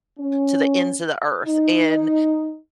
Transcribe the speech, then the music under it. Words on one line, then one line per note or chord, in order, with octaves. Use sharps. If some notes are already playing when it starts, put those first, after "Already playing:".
to the ends of the earth, and,
C#4
D#4